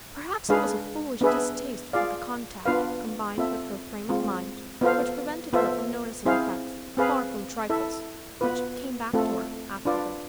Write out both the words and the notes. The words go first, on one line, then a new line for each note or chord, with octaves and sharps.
Perhaps it was a foolish distaste for the contact, combined with her frame of mind, which prevented her from noticing facts far from trifles, which came back to her afterward.
G#3 D4 G#4 B4 F5
B3 D4 G#4 B4 E5
F4 G#4 D5 F5
B3 D4 F4 B4 F5
C4 F4 A4 E5
G#3 C4 F4
B3 F4 A4 C5 F5
B3 F4 A4 C5 E5
C4 E4 G#4 C5 F5
C4 G#4 B4 F5
E4 A4 E5
B3 F4 B4
A3 C4 F4 A4
D4 F4 B4 D5